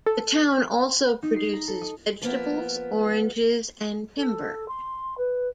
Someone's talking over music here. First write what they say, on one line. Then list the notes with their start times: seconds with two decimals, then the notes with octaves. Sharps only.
The town also produces vegetables, oranges and timber.
0.06 A4
1.23 D#4
1.36 C7
1.54 A#5
1.68 A4
1.82 D#5
2.22 F3 A#3 B3
4.17 A4
4.68 C6
5.18 B4